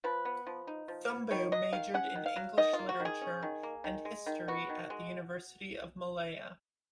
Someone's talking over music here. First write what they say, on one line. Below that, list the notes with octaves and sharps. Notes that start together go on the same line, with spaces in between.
Thumboo majored in English literature and history at the University of Malaya.
F3 B4
B3
F3
D#4
F3
B3
D#3 C#5
F#3 D#5
D#3 F5
C#4 F#5
D#3
F5
F#3
D#3 D#5
F4
A#3
F#4
D#3
G#4
C#4
D#3
A#3
D#3
G#3
D#3
B3 F#4
D#3
G#3